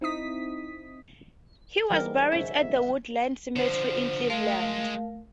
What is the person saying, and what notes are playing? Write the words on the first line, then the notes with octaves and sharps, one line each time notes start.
He was buried at the Woodland Cemetery in Cleveland.
C4 D#4 E4 D#6 B6
G#2 E3 G3 G4 A#4 G5
C#4 A4 C5 E5
D3 F3 C5
G#3 A3 F4 A#4 F5